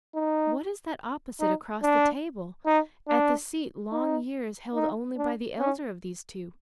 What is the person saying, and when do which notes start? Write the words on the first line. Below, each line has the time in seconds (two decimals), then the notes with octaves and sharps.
What is that opposite, across the table, at the seat long years held only by the elder of these two?
0.15 D#4
1.40 D#4
1.83 D4
2.66 D#4
3.08 D4
3.92 D#4
4.75 D#4
5.18 D4
5.59 C#4